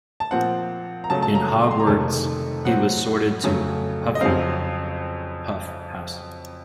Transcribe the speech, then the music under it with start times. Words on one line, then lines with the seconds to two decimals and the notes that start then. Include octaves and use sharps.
In Hogwarts, he was sorted to Hufflepuff house.
0.20 A5
0.31 A#2 F3 C4 F#5
1.04 A#5
1.10 C#3 F#3 A3 A5
1.22 A5
1.35 A#5
1.48 A#5
1.71 C6
1.80 A#5
1.87 F2 C3 D#3 A3 C#4 A5
2.65 A2 F#3 C4 F#5
3.44 F2 C#3 F#3 A3 C#4
4.15 D#5
4.21 F2 C#3 F#3 C4 F5